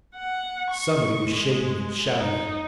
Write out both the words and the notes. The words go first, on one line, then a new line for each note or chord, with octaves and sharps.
Somebody was shaking him, shouting at him.
F#5
C#6
G#3
D#4